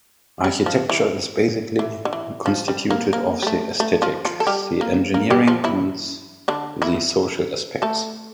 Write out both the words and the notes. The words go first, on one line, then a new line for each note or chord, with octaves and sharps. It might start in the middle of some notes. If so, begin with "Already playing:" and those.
Architecture is basically constituted of the aesthetic, the engineering and the social aspects.
G3
F3
E3
E3
D3
E3
F3
G3
A#3
A#3
G3
A3
A3
F3 F4
F3 F4
A4
G3 G4
A#3
A#3
G3 G4
F3 F4
E3 E4
D3 D4
E3 E4
A3 A4